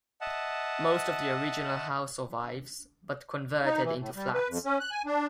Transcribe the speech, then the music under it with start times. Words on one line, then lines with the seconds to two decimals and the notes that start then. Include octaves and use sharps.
Most of the original house survives, but converted into flats.
0.21 D#5 E5 F#5 A5
3.65 D#4
3.84 E3
3.99 A2
4.15 G3
4.34 B4
4.48 F2
4.65 C#4
4.80 F#6
4.91 G#5
5.06 D4